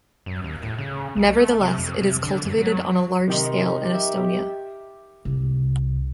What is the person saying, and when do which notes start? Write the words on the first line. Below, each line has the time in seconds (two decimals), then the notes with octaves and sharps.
Nevertheless, it is cultivated on a large scale in Estonia.
0.26 F#2
0.44 D#2
0.63 A2
0.78 C#3
1.16 B1
1.30 A3
1.61 C3
1.78 F2
2.02 C3
2.23 D3
2.45 F#2
2.58 F#3
3.28 C3 D#3 D#4 G4 C6
3.80 G4
3.94 E5
5.25 C2